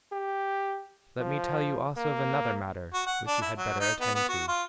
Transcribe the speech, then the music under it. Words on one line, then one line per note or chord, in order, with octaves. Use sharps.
Let me tell you also of another matter which you had better attend to.
G4
F3
A#3
F#4
F#5
D4
E4
F#3
D#4
B3
B3
F#4
F4